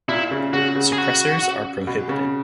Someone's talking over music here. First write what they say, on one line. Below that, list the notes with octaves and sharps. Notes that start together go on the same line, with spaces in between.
Suppressors are prohibited.
A#2 E4
C#3
C#3 F#4
C#3
G#4
F#4
B2
C#3